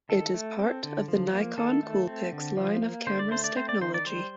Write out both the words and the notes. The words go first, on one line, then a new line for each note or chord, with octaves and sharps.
It is part of the Nikon Coolpix line of cameras Technology.
D#3 A4
A3
C4
D3
F3
A#3
D#3 A4
A3
C4
D3
F3
A#3
D3 C5
D5
A3 C5
D5
C4 C5
D5
D#3 C5
D5
G3 C5